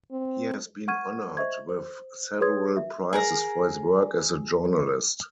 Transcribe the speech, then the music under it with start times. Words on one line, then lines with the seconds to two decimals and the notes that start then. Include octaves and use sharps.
He has been honoured with several prizes for his work as a journalist.
0.11 C4
0.88 F#5 C#6 F6 G#6 D#7
1.37 C5 D#5 E5 C#6 G#6
1.69 C5
2.41 G#4 B4 C#5 C6 D#6 G#6
2.77 E5
3.13 G#4 A#4 A#5